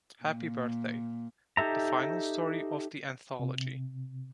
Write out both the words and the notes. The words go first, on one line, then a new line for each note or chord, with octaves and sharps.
Happy Birthday - The final story of the anthology.
A#2
D#4 G4 A4 E5 A#5
C3